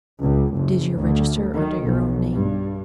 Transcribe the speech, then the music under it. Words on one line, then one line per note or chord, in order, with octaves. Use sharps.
"Did you register under your own name?"
C#2
F#1
D2
D#3
B1
G2